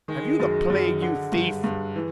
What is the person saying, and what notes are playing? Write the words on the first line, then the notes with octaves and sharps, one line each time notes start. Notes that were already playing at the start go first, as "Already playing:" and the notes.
Have you the plague, you thief?
D#3 G#3
F#2
F#2
D3
G2
G2
E3